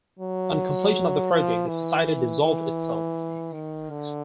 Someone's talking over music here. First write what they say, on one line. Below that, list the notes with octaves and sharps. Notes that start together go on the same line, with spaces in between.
On completion of the project, the Society dissolved itself.
F#3
F3
E3
E3
D#3
D3